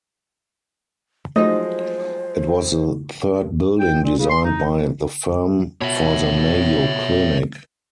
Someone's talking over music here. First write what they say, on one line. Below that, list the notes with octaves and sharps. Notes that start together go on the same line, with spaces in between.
It was the third building designed by the firm for the Mayo Clinic.
F3 F#3 G#3 A3 D#4 C5 D#5
G5
A#2
C#3
C6
D#4
B2 C#5 E5